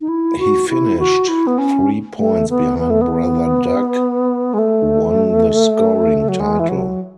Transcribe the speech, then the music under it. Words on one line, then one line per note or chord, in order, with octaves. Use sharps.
He finished three points behind brother Doug, who won the scoring title.
D#4
E4
F#4
E4
F#4
E4
B3
C#4
A3
B3
B3
A3
B3
G#3
A3
F#3
G#3
E3
F#3